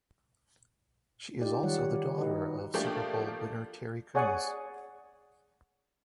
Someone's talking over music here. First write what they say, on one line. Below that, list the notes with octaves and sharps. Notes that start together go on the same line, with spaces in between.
She is also the daughter of Super Bowl winner Terry Kunz.
D#4 F4 G4 D5
D#3 G3 C#5 D5 F#5
D#4 F#4 G4 B4 D#5
F3 A3 A#3 D4 G4
G#4 C#5 D5 F#5 G#5